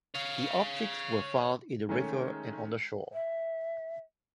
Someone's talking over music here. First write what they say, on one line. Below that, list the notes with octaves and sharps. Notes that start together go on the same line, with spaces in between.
The objects were found in the river and on the shore.
C#5 F5
D#3 G#3 A3 C#4
E5